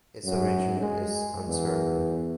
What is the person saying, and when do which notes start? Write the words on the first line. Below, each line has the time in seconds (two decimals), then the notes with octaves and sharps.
His origin is uncertain.
0.25 F#2
0.80 G#3
1.48 E2